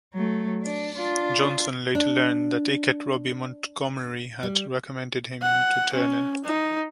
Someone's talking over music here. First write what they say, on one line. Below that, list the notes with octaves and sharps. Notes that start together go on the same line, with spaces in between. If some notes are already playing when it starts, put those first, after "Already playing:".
Johnson later learned that Ikette Robbie Montgomery had recommended him to Turner.
F#3 A3
D4
D4 F4
D4
G3
F#5
C#4
D#4